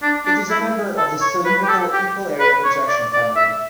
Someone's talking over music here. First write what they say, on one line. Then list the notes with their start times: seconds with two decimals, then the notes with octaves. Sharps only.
It is a member of the cylindrical equal-area projection family.
0.02 D4
0.25 D4
0.50 E4
0.97 A4
1.21 C#5
1.45 B4
1.63 G4
1.69 A4
1.93 G4
2.40 B4
2.64 C#5
2.88 D5
3.12 D5
3.36 E5